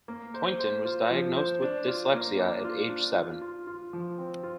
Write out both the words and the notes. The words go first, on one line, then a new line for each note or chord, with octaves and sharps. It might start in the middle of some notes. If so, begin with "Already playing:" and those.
Tointon was diagnosed with dyslexia at age seven.
A#3
C5
C5
F4
F3
C5
D4
F4
A#3
D4
F4
D4
F4
F4
F4
F3
C4
F4